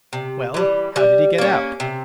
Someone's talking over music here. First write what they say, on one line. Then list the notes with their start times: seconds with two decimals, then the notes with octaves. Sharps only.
"Well, how did he get out?"
0.13 C3
0.54 E3 G3
0.96 G3
1.38 A#3 C#4
1.80 C3